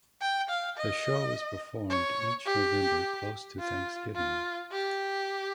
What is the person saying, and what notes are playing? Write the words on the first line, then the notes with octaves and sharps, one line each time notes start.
The show is performed each November close to Thanksgiving.
G5
F5
D#5
C#5
G4
F4
F4
G4